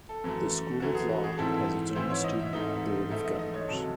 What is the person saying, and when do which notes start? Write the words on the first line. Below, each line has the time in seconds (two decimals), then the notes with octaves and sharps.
The School of Law has its own Student Board of Governors.
0.09 A4
0.24 F#2 E3 A3
0.80 F#2 E3 A3 F#4
0.95 G#4
1.09 F#4
1.24 G#4
1.38 G#2 E3 C4 E4 A4
1.95 G#2 E3 C4 E4 C5
2.10 C#5
2.24 D#5
2.39 E5
2.53 G#2 E3 A3 D#4
3.10 G#2 E3 A3 D#4 E5
3.25 D#5
3.39 D#5
3.54 C#5
3.67 C#2 C3 F#3 A4